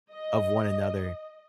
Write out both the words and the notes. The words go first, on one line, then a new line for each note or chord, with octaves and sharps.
of one another.
D#5